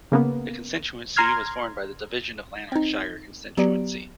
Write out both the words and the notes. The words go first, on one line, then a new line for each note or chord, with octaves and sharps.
The constituency was formed by the division of Lanarkshire constituency.
C#3 A#3 B3
A#5 C6 F6 G#6
C4 D#4
F#3 B3 G4 D5 A#5 D7